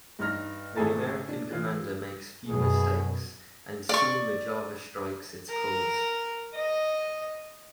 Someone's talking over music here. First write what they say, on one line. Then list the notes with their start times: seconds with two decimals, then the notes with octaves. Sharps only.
The American commander makes few mistakes and soon the "Java" strikes its colours.
0.19 G2 D#4 F6 A#6
0.76 G#1 A3 G#4 A4 G#5 A6
1.29 D4
1.51 E3 F4
2.47 F#2 B2 G#4
3.89 D5 C#6
5.50 A#4
6.54 D#5